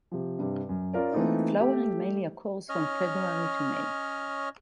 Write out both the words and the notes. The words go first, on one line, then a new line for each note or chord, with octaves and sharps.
Flowering mainly occurs from February to May.
C3 F3
G2 C3
F#2
C#4 F4 A#4 D5
E3 A3 A#3 C4 D#4 F4
A3 G4
C#4 C#5 D#5 F6